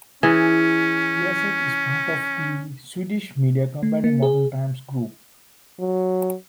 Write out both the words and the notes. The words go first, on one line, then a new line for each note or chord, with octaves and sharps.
Viasat is part of the Swedish media company Modern Times Group.
E3 C#4 G#4
A3
A#3
G#4
F#3